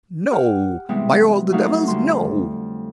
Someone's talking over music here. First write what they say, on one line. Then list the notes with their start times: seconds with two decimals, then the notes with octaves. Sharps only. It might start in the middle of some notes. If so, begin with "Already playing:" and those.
"No! By all the devils, no!"
0.32 G4 F#5 F6
0.89 C3 E3 G3 G#3 B3 C4
1.52 F#3 A3 D#4 F#4 A4 F5
1.87 F2 D3 G3 C6